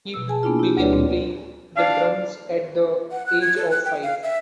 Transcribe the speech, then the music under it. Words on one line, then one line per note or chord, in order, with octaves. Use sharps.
He began playing the drums at the age of five.
B2 E6
G#4 G#5 A5
A#3 B3 D4 E4 F4
E4 G4
D2 G3 D4 B4 C#5 D5
A#2 C4
D4 F5
F#5
F#6
G#6
A4
F#6
G5
F5
E5